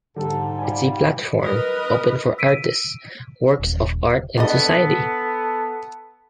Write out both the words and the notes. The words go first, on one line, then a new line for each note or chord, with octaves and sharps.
It’s a platform open for artists, works of art and society.
G#2 D3 G3 G4 A4
F3 G3 G#5
A#4 B4 D#5
E6 B6 D7 D#7
D#1
B3 D4 A4 D5 D#5